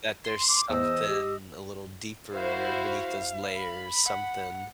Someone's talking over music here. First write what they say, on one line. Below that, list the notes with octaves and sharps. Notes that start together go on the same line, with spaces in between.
That there's something a little deeper beneath those layers, something,
C6
D6
E2 C5 D#5 D#6 E6
G4
E4 F#4 C5 F5
B5
F#5